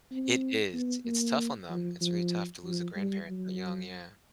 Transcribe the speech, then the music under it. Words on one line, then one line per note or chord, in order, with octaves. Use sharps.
It is, it's tough on them; it's very tough to lose a grandparent that young, yeah.
C4
B3
A#3
F3
F3
F3
G3
F#3